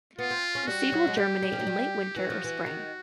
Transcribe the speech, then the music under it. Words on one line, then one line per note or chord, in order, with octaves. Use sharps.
The seed will germinate in late winter or spring.
B3 F4
C4
C#4
G3 F#4
F#3
G#3
G3 G4
G3
F3
F#3
G3
E3 F#4
F3
E3
D#3